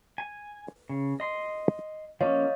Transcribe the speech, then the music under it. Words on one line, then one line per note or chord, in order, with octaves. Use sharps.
Where there no such beings, men would not die.
G#5
C#3
D#5 C6
F3 A#3 C#4 C#5 D#5 F5